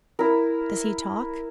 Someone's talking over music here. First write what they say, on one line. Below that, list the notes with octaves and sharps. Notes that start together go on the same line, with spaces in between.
"Does he talk?"
E4 A#4